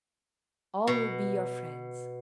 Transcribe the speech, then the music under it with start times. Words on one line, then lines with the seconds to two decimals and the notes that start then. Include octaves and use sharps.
All will be your friends.
0.87 B2